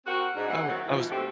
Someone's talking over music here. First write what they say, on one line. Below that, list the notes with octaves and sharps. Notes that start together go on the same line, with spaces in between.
I wa I was
C4 F#4 A#4
G#2 D4
D#2 E3 E4 F#5
D#3 F#3 C4
G#2 B2 E3 F3 E4
B2 D3 A3 C4 G4 A4